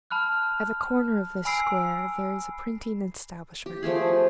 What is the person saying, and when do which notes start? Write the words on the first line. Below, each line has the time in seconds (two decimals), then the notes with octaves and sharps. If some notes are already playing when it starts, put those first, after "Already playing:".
At the corner of this square there is a printing establishment.
0.11 A5 B5 F6 F#6
1.45 G#5 B5 E6 C7 D7
3.66 G4
3.83 F3 A3 G4 G#4